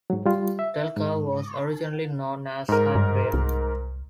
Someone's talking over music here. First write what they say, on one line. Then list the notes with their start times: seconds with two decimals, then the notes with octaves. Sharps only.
TelCove was originally known as Hyperion.
0.10 G#2 F#3
0.26 G3 F4
0.59 E5
0.97 G#2
2.69 G#2 A#4
2.95 G2
3.33 C2